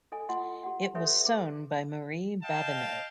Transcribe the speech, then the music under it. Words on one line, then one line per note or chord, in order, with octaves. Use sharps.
It was sewn by Marie Babineau.
A4 D#5 G#5
F4 D#5 F#5 C6
G4 F#5
G4 A4 B4 C#5 E5
G#4
D#5 F5 G5 A5